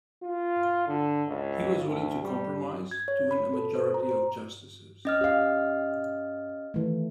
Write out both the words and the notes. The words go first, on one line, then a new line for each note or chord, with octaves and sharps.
He was willing to compromise to win a majority of Justices.
F4
D3
C#2
D2
G3
G#6
C#5
B5
A4
C5
A#5
C5
C#4 D#5 F6
G4 F5
D#3 E3 A3